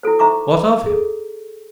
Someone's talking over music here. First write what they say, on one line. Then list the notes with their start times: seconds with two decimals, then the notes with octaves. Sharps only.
"What of him?"
0.03 E4 F#4 A4 C5
0.19 D#4 C5 E5 A#5 C#6 D6
0.86 G#4 A4